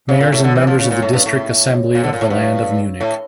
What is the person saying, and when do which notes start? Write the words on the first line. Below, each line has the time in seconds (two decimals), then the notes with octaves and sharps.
Mayors and members of the District Assembly of the Land of Munich.
0.09 C#3
0.20 A#2
0.32 A2
0.44 D3
0.56 E3
0.67 F3
0.79 C#3
0.91 A#2
1.02 A2
1.13 G2
1.26 A2
1.95 A#2
2.03 D3
2.13 A#2
2.21 A2
2.30 G2
3.01 A2